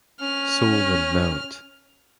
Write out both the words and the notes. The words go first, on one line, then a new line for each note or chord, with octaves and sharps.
Sole and Mt.
C#4 F6